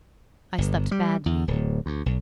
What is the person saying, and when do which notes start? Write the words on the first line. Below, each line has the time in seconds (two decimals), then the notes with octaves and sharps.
I slept badly.
0.58 G1
0.91 G3
1.26 E2
1.48 D1
1.86 D2
2.06 B1